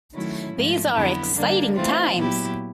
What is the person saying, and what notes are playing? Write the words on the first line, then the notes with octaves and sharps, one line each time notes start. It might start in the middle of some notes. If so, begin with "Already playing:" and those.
These are exciting times.
D#3 F#3 A3 C#4 E4
G#2 F3 A3
F2 D3 F#3 B3 E4
D3 G3 A#3 D4
E3 A3 C4 F4
A#2 F#3 B3 E4 G4